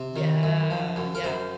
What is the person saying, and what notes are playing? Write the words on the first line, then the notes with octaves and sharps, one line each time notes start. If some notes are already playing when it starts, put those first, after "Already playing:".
Yeah, yeah.
Already playing: C3
D#3
F#2
F3
F#2
A#4
F#2 C5